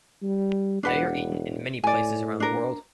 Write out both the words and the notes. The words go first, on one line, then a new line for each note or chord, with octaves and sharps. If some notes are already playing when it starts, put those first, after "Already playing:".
They are eaten in many places around the world.
G3
E1 D4 B4 F#5
A2 D5 G#5
D4 A#4